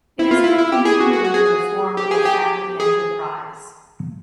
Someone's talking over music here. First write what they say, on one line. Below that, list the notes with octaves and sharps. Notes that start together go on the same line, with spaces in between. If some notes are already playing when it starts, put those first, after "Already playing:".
It is still continuing in the form of a family enterprise.
E4
F4
E4
E4
G4
G#4
F#4
F#4
F#4
G#4
G#4
G4
G#4
G4
G#4